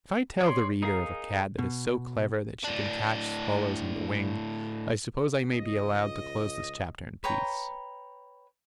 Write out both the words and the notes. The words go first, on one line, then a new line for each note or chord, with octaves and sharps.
If I tell the reader of a cat that is so clever that she can catch swallows on the wing, I suppose I may be allowed to close this chapter in peace.
C#5 D5 C6
D#4 G#4 A#4 F5
B2
A2 D4
C#2 D#5
B4 C#5 G5 A#5